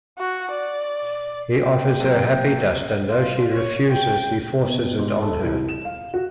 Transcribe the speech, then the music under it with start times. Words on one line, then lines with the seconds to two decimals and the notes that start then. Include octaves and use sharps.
He offers her happy dust, and though she refuses, he forces it on her.
0.18 F#4
0.52 D5
1.57 A#3 G5
2.00 C3 F#3
3.09 F4
3.53 C#5
3.92 G5
4.64 B2
4.99 G#2
5.22 A4
5.43 C2
5.69 E7
5.85 F5
6.14 F#4